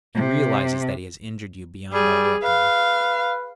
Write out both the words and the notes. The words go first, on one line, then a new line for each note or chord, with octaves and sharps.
He realizes that he has injured you beyond all reckoning.
C3
G3 G#4
B4 F5